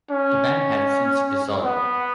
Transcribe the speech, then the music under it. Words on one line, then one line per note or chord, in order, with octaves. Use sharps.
The band has since dissolved.
C#4
B3